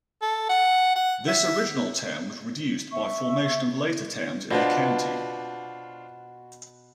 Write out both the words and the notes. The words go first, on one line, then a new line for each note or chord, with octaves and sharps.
This original town was reduced by formation of later towns in the county.
A4
F#5
F#5
E5
E5 C#6
B2 D4 F4 F#4 C5